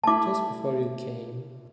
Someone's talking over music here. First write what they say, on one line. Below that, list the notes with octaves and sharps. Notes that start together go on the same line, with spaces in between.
Just before you came.
A3 E4 A5 D6